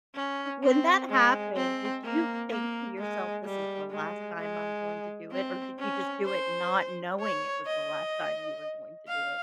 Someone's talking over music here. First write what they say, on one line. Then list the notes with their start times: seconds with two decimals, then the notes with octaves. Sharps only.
when that happened, did you think to yourself, "This is the last time I'm going to do it," or did you just do it not knowing it was the last time you were going to do it?
0.15 C#4
0.63 C4
1.10 G#3
1.56 C4
2.04 A#3
2.50 A#3
2.98 G#3
3.45 G3
3.91 G#3
4.39 G#3
5.32 C4
5.79 C#4
6.26 C5
7.20 C#5
7.67 D#5
9.08 F5